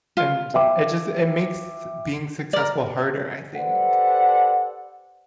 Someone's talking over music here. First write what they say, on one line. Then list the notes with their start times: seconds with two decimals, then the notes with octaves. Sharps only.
And it just it makes being successful harder, I think,
0.17 F4
0.54 E5 G5 D6
2.53 A#4 D5
3.55 G4 A4 B4 C5 D5 F#5